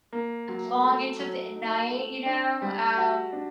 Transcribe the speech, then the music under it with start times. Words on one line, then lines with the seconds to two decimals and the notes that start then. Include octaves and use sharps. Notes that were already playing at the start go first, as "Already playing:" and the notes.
long into the night, you know, um
0.13 A#3
0.48 F#3
0.83 A3
1.19 F#3
1.55 D#4
1.91 A3
2.26 D4
2.62 G3
2.97 F#4
3.33 D4